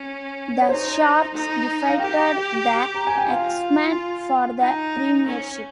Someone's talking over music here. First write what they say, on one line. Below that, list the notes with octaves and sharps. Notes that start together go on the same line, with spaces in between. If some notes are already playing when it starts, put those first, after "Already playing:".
The Sharks defeated the Axemen for the premiership.
Already playing: C#4
C#5
D#4 C5
D#4
F5
G4 G5
A#5
G#5
G5
F4 F5
D#4
C#4